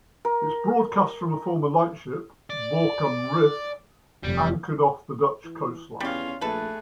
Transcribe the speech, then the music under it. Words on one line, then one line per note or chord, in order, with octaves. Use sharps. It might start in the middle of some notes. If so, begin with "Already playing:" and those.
It broadcast from a former lightship "Borkum Riff" anchored off the Dutch coastline.
A#4
D5
F1 G3
E3
E2 G3 C#4 F4 F5
A#1 A3 G#4 A4 B4